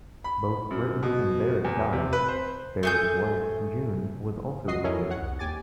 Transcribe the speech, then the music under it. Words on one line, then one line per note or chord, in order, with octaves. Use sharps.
Both Britton and Barrett died; Barrett's wife, June, was also wounded.
B5
F#2
B2
E2
C3
B4
C5
A3 G#4 G6
C#2 F#4 D#5 C7
C#4 E4 F#4 A4 A#4 C#5
C#5 F#5
C2
D#2 G4 G#5 D6 A6